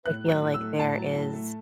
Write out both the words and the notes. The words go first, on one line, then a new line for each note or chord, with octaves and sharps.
I feel like there is,
A2 F#6
F#3
F#6
A2
E6
A3
A2 A5
F#3
A2
A3